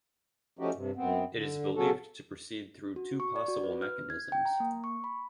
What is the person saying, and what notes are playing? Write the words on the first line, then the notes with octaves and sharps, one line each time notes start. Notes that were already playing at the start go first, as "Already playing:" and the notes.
It is believed to proceed through two possible mechanisms.
F3 A3 C#4 D#4 F#4 G4
G2 C3
F#2 B3 C4
D3
C#3 F#3 C#4 F#4 A4
F#4
C#6
D5
F#4
B4
F6
G#6
G5
A#5
A#3
C#6
B5